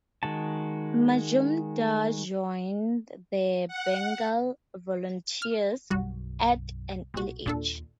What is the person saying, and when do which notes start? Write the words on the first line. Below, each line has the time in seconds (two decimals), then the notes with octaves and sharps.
Majumdar joined the Bengal Volunteers at an early age.
0.23 D#3 G#3 F#4 A5
3.68 F#5
5.42 F6
5.90 B1 F#2 G3 F#4
7.14 B1 A#2 F#4
7.46 D#2 A#2 D4 F4 A4